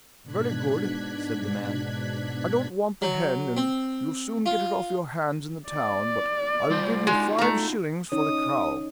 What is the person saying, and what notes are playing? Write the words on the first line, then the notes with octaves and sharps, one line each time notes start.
'Very good!' said the man; 'I don't want the hen, and you'll soon get it off your hands in the town, but I'll give you five shillings for the cow.'
G#2 B2 D4 F#6 G#6 B6
F#3
C4
F4
D5
G3 F4 C5
G#3 D#4 F4 F#4
A3 A#5
C#4 D#4 C#5 D#6